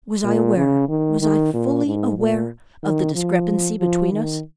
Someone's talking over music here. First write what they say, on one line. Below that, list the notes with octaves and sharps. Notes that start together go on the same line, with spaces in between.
Was I aware--was I fully aware of the discrepancy between us?
A#2
C#3
D#3
D#3
A#2
G#2
A#2
D#3
F3
F3
D#3